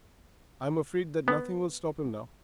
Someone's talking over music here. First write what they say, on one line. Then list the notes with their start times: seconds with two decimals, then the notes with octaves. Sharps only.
I am afraid that nothing will stop him now.
1.28 B3